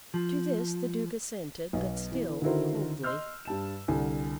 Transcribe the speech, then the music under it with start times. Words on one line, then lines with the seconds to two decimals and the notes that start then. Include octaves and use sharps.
To this the Duke assented, but still coldly.
0.14 F3
1.73 B1 B2
2.12 E3 B3
2.42 D3 D#3 E4 F#4 A#4 C5
3.03 D#5 C6 E6 F6 G6
3.45 G2 A5 E7
3.88 C2 D3 G#5